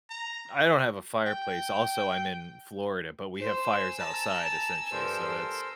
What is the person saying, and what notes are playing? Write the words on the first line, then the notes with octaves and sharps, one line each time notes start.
I don't have a fireplace, also, I'm in Florida, but we have fires outside, essentially. So, that's
A#5
G5
C5 G#5 E6
A5 A#5
G2 F3 A4 A#4 C5